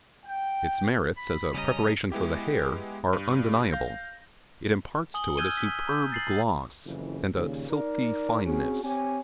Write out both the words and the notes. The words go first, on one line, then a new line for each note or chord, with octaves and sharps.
Its merits as a preparation for the hair are undeniable--it imparts to it a superb gloss and a silky fineness.
G5
B5
C#3 G3 C#4 D#5 A#5
G#3 B3 E4 G4
G2
F5 G6 A#6
G#5 D#6 F#7 G7
E6 F6 G6 G#6 D#7 G7
B6
A#5 G6
A6 C7 F#7
F#1 F2 C#3 E3
D#2 A#2 C#3
D#4 A#4 D5
C4 C#4 F#4 G#4
C4 G4 C#5 G#5